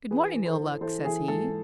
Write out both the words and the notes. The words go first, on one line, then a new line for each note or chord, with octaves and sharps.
"Good-morning, Ill-Luck," says he.
E3 G#4 B4
E3
A4 C5
E3
E3 A4 C5
E3 G#4
G#2 A4